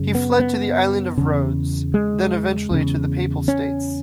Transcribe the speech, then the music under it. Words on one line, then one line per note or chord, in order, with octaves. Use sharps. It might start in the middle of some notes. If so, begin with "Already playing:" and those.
He fled to the island of Rhodes, then eventually to the Papal States.
Already playing: F#2 C#3
B3
B3
E2 C#3
G#3
E2 C#3
C#4